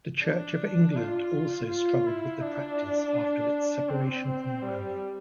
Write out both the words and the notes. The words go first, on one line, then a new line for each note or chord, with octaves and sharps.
The Church of England also struggled with the practice after its separation from Rome.
D4
F4
F4
E4
D4
C4
G3